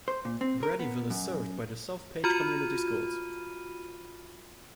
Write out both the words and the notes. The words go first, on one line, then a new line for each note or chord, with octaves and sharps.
Braddyville is served by the South Page Community Schools.
C5
A#2
C4
A#4
B3
F#2
F4 F#4 B5 F6 D#7